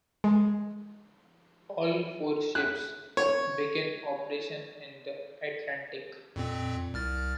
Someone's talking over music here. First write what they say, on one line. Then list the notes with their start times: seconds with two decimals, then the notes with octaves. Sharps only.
All four ships began operations in the Atlantic.
0.24 G#3
2.55 F#6
3.17 C#5
6.36 F2 A#2 C4
6.94 C2 F6 A6